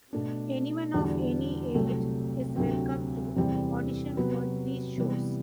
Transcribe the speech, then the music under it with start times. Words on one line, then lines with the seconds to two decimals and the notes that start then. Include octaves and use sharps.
Anyone of any age is welcome to audition for these shows.
0.13 B2 A3 D4
0.94 E2 D3 G3 D4 F#4
1.74 C2 C3 F#3 A3
2.56 D2 C3 F#3 C4
3.36 E2 C3 E3 G3 C4
4.17 C3 F#3 B3 F#4 B4
4.98 C3 E3 G3 B3 E4